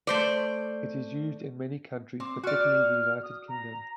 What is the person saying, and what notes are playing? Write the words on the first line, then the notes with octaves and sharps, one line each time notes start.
It is used in many countries, particularly the United Kingdom.
A3 C5 D5
C4 D6
F#4 D5 F6
D#6
A#5